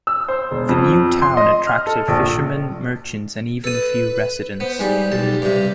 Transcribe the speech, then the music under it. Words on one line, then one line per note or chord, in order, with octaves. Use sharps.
The new town attracted fishermen, merchants and even a few residents.
E6
C5
E1
F2
C6
D#5
F6
A4
A#1
A4 B4 D#6
B3 C5
G#2 G3 G#5
B1 G4 A5
G2 C3